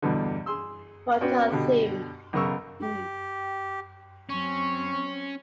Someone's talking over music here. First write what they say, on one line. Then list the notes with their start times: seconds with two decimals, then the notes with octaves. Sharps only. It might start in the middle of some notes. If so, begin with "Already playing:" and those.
Motto Theme, mm.
0.02 E2 G2 B2 D3
0.46 G#4 C6 E6
1.21 B3 C#4 F#4 D5 G5
1.50 B2 D3 G4
2.33 B1 F#2 C#3 A#4 C#6 E6
2.82 G4
4.29 F#3 C4 C#4 C#6